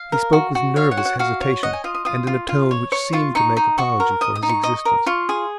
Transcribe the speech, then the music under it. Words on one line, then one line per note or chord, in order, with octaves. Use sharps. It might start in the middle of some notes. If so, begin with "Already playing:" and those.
He spoke with nervous hesitation, and in a tone which seemed to make apology for his existence.
Already playing: F5
A#4
F#4
F#4
C#5 F5
F#5
F#4
F#5
F#4 F5
C#5
D#5 F#5
G#5
F4 D#6
D#6
F4 D#6
F4
F4
C#5
C#5 C#6
F4 C#6
D#4 C#6
D#4
F#4 C#6
A#4
D#5 D#6
D#6
D#4
C#6
D#5
A#4
F4 C#6
G#4